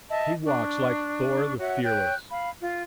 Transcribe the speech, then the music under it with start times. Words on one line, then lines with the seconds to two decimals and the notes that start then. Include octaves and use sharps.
"He walks like Thor the Fearless."
0.09 D#5 E5 A5
0.45 D4 C#6
1.59 F#4 C#5 E5 F#5
1.83 C#5 G5 F#6 G6
2.30 F5 B5
2.60 F4